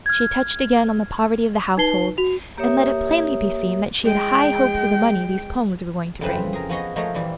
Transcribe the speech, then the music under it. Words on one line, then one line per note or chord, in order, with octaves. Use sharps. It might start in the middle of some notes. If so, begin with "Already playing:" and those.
She touched again on the poverty of the household, and let it plainly be seen that she had high hopes of the money these poems were going to bring.
F6 G#6
D#4 B4 A5 C7 G7
F#4 F7
A#3 G4 A#4 C#5 E5 D#6
G#3 G5
F2 C#3 E3 C4 B4 C5
G#4 A#4
F3 B3 F#4 G#4 C#5 D#5
F3 G#3 A3 G#4 A#4 C#5
A#2 E3 G3